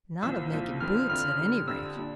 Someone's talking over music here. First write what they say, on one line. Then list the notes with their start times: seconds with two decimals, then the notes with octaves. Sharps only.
'Not of making boots, at any rate!
0.22 C2 A#2 F3 E6
0.52 C2 A#2 F3
0.80 F2 D3 F3 C4 F6
1.10 F2 D3 F3 C4 F6
1.39 F2 D3 G3
1.68 F2 D3 G3 E6
1.96 A#2 G3 D4